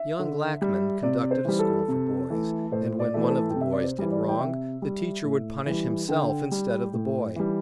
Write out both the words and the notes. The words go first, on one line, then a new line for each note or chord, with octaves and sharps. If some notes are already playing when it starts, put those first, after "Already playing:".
Young Lackman conducted a school for boys, and when one of the boys did wrong, the teacher would punish himself instead of the boy!
Already playing: E5
D3
G3
C3 D5
C5
E3 G3
A4
C3
E3 A3
A2 C5
D5
E3 A3
C5
A4
G5
C3
E5
D5
C5
E3 G3
D5
G5
C3 E5
G3
A2
E3 G3
D3 G5
G3
A2
E3 G3